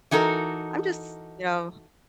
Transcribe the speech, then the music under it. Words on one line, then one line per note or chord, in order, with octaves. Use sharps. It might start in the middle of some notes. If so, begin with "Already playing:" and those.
I'm just, you know,
E3 D#4 F#4 A4 A#4